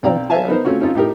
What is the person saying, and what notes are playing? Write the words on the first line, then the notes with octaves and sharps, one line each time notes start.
So true.
B1 C4 D5 F5 G5 A#5
E5 F5 G#5 A5
B3 D#4 A#4 C5
A3 C4 C#4 F4 F#4
C4 C#4 D#4 F4 A4
A2 D#4 G4 A#4